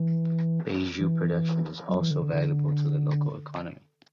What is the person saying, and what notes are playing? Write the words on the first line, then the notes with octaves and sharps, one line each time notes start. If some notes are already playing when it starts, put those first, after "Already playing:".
Baijiu production is also valuable to the local economy.
Already playing: E3
E3
F#3
E3
D3
D3
D3